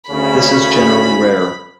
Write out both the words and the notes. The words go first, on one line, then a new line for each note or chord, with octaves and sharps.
This is generally rare.
D2 C#3 C#4 B5